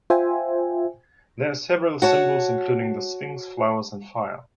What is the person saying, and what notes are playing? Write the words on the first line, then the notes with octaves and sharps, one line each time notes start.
There are several symbols, including the Sphinx, flowers, and fire.
F4 C5 E5 G5 G#5
F#4 C#5 A5